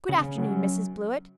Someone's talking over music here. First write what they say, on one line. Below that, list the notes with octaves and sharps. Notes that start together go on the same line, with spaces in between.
Good afternoon, Mrs. Blewett.
C#3
F#3 C#4